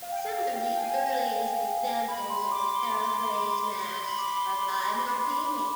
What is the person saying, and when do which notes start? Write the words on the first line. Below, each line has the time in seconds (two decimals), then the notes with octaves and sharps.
Some of the earliest examples of the paraphrase mass are by Martini.
0.02 F5
0.12 G5
0.33 F5
0.55 G5
0.77 G#5
1.86 G#5
2.08 B5
2.30 C6
2.51 D6
2.74 C6
2.95 D6
3.17 C6
3.38 D6
3.61 C6
3.82 C6
4.04 B5
4.19 D6
4.26 C6
4.48 C6
4.70 D6
4.91 C6